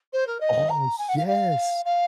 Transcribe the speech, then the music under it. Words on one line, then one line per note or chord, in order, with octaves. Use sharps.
Oh, yes!
C5
A#4
D#5
A#5
G#5
F#5
F5
F5
F5